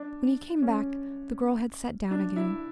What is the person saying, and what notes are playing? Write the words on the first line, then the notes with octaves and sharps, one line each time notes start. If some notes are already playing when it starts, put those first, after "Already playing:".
When he came back the girl had sat down again.
Already playing: D4
C#4
D4
E4